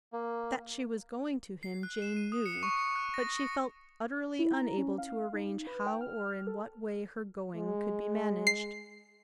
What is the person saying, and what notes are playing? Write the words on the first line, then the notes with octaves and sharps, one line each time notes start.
That she was going to him, Jane knew; but she felt utterly unable to arrange how or in what way her going could be managed.
A#3
C7
F#6
E7
D#7
D#6
C#7
C#6
C#7
F#6
A#6
C#7
E4
A#5
C#4
F5
D#4
B4
G5
F6
A4
G#3
C7